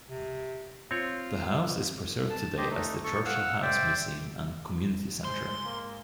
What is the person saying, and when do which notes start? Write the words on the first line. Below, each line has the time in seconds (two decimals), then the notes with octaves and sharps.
The house is preserved today as the Churchill House museum and community centre.
0.10 C3
0.91 C4 F4 C#5
2.30 A5
2.57 G4 C5 D#5
2.71 A3 D#4
3.04 A4 C#6
3.25 F5 F#5 E6
3.62 C5 D5 E5 G5
5.24 G#2 C5 C6
5.64 A#3